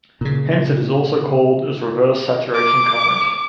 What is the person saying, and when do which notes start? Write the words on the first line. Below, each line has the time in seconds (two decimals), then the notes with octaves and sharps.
Hence it is also called as reverse saturation current.
0.21 A#2 C#3
2.55 D6